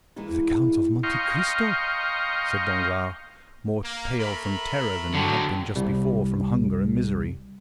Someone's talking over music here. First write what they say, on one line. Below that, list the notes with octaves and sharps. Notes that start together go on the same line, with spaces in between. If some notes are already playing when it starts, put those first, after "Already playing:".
"The Count of Monte Cristo!" said Danglars, more pale from terror than he had been just before from hunger and misery.
E3 G#3 A#3 D#4 E4
D#5 F5 G5 A#5 C6 C#6
A#3
A3 A#4 B5
D3 F#3 G5 A5
C2 G3